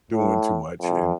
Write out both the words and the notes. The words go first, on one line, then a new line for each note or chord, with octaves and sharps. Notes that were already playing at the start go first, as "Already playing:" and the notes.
doing too much, and
A2
F2